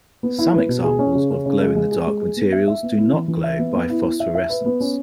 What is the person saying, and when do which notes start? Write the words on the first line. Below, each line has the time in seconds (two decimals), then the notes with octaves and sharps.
Some examples of glow-in-the-dark materials do not glow by phosphorescence.
0.23 B3
0.39 E4
0.53 B4
0.69 B2
0.84 G#4
0.99 C#4
1.15 C#3
1.30 C#4
1.46 C#3
1.60 G#3
1.76 G#3
1.91 G#4
2.06 G#3
2.21 G#4
2.37 B3
2.52 E5
2.68 E5
2.83 B3
2.98 E4
3.13 E3
3.28 E3
3.44 E5
3.59 B3
3.75 B3
3.90 E4
4.05 E4
4.20 E5
4.35 E5
4.50 B4
4.66 B3
4.80 C#4